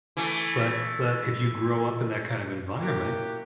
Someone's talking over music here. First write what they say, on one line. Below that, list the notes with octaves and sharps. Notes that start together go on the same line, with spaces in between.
but but if you grow up in that kind of environment,
E3 A3
A#3 E4 F#4 G4